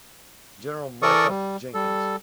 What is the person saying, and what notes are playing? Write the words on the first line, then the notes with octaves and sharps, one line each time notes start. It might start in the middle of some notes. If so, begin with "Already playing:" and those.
General Micah Jenkins.
E3 A4 A#4 D5 C#6 D#6
G3
G3 A4